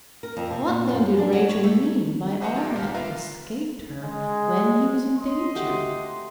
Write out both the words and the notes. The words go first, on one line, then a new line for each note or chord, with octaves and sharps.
What, then, did Rachel mean by all that escaped her, when he was in danger?
A#4
F2
C3
A#2
F#2
D4
F#3
C#5
A3
B4 C5 D#5 E5 F#5 A#5
A#2 F3 A#3 G4
A#1 F5
F4 A#4 B4 E5 F5
G#3
C5 D#5 C6
A3 F#4 G4